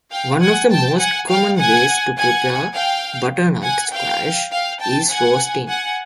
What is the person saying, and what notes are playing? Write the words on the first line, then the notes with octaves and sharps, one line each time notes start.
One of the most common ways to prepare butternut squash is roasting.
F5 G5
F#5 G#5
G5 A5
F#5 G#5
F5 G5
F#5 G#5
F#5 G#5
F5 G5
F#5 G#5
F5 G5
F5 G5
G5 A5
F#5 G#5
F#5 G#5